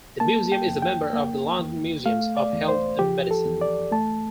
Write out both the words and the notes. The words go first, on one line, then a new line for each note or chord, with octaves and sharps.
The museum is a member of The London Museums of Health and Medicine.
A#3 A5
G5
F2
G5
A#3
E2
A3 F5
D5
E2
C5
F3 G4
A4
E2
D5
A3 A5